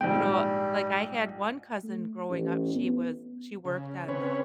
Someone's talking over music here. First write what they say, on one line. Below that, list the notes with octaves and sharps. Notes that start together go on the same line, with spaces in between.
you know like, I had one cousin growing up, she was she worked on the
A#1 G#2 G3 G5
A3
A1
B3
C#3
C#3 C4 C#4 B4 C#5